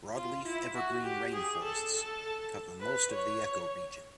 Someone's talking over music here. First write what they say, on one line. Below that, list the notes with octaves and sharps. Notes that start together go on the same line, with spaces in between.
Broadleaf evergreen rain forests cover most of the ecoregion.
F4
E4
F#4
G4
G#4
A4
A4
B4
C#5